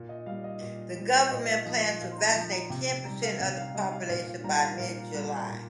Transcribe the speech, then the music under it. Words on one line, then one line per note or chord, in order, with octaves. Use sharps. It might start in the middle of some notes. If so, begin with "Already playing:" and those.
The Government plans to vaccinate ten percent of the population by mid July.
Already playing: A#2
D#5
G3 F5
D#5
A#2
G3
A#2 D#5
F5
F3 D#5
D#5
A#2 F5
C6
A#5
F3
A#5
C3 G5
G5
G3 A#5
F5
C3 F5
G5
F5
G3 D#5
F5
A#2 F5
F5
G3 A#5
F5
A#2 F5
G3
A#2